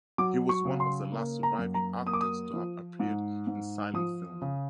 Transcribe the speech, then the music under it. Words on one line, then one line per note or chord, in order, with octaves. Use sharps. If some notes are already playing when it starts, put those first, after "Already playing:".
He was one of the last surviving actors to have appeared in silent film.
F#3 D6
C#6
C#3
C6
A#3
A#5
F#2
A#5
A#3 D#6
D6
D#6
F3
G#2
G#2
F3 D#6
C#3